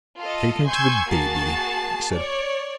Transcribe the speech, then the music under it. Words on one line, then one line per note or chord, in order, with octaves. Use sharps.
"Take me to the baby," he said.
F4 A4 D#5
G#5 C6 C#6 E6 G6 G#6
A#3 F#4 G#4 A5 A6 C7
C#5 D5